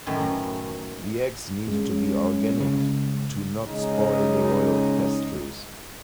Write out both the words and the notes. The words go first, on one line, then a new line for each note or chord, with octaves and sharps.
The eggs need to be organic to not spoil the royal pastries.
F#2 A2 D#3 E3
G2 G#3 C#4
C#3
C#3 G#3 C#4 D#4